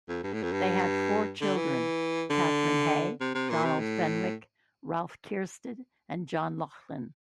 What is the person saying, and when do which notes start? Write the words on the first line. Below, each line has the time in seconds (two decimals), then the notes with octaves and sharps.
They had four children : Katherine Hay, Donald Fenwick, Ralph Keirstead and John Lauchlan.
0.08 F2
0.23 G2
0.33 A2
0.43 F2
0.52 G2
1.41 D3
1.57 E3
2.30 D3
3.20 C3
3.34 C3
3.50 A#2
3.64 C3
3.79 A2